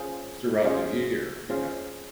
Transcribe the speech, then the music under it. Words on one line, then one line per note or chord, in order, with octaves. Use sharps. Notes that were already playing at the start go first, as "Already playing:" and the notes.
throughout the year, you know?
Already playing: C#4 F4 G#4 C5 F5
C#4 F4 G#4 C5 F5
C#4 F4 G#4 C5 F5